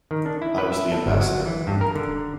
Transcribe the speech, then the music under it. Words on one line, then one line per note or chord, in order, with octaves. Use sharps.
I was the ambassador.
D#3
D4
E4
B4
E5
A4
G1
F#3
E3
G2
A#4
D3